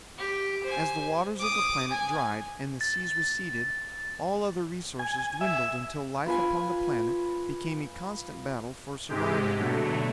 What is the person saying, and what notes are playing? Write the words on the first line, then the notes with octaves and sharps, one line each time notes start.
As the waters of the planet dried and the seas receded, all other resources dwindled until life upon the planet became a constant battle for survival.
G4
C5 G#5
D6 D#6
G#5
A6
G#5
E5
F4 B4 G#5
G#2 C3 G#3 G4
B2 D3 F#3 A3